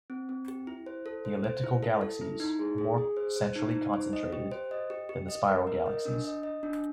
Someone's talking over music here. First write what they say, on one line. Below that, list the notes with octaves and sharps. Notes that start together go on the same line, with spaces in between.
The elliptical galaxies are more centrally concentrated than the spiral galaxies.
C4
C4
G4
E4
C5
A4
C5
C5
E4
A4
A4
E4
D#4
G#4
G#4
G#4
C5
C5
D#4
D#4
C5
D#5
G4
C5
D#5
G4
G4
D#5
A#4
A#4
D#5
D4
D#5
D#5
D4